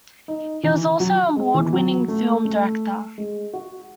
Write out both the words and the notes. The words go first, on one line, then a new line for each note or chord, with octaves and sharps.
He was also an award-winning film director.
D#4
E3
F#3
G#3
E3
F#3
A3
A3
G#3
F#4